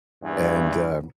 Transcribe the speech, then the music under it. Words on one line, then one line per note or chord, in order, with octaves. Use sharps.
and, uh,
E2 G2